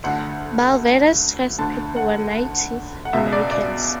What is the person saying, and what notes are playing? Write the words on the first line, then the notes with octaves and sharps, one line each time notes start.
Bulverde's first people were Native Americans.
D2 D3 F#5
D2 D3 A5
F#5
F#5
C#2 B2 E5
D5
D5